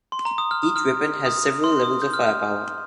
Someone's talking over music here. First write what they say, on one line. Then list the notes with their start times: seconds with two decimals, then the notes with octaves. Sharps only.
Each weapon has several levels of firepower.
0.12 C6
0.25 A#5
0.38 D#6
0.51 F6
0.63 D#6
0.76 F6
1.26 D#6
1.64 C6
1.83 D#6
2.02 G6
2.14 F6
2.27 F6